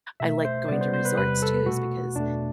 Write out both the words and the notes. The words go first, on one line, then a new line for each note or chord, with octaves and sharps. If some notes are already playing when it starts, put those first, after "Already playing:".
I like going to resorts, too, is because
B2 A3 E5
C5
C3 G3 B3 D5
C5
C5
B4
E2 C3 G3 B4
A4
B2 A3 F#4
E2 B2 A3 D4